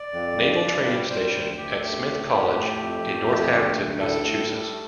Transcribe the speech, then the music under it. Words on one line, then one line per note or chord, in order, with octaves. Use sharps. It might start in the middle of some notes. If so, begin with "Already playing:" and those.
Naval Training Station at Smith College in Northampton, Massachusetts.
Already playing: D5
F2
G2
G2
G3
G3 C5
D2 C5
D2 G4
A4
A3 G4
A2
A2
A3
F2
F2
A3
D2
D2
A2 A4
A2
G3
A3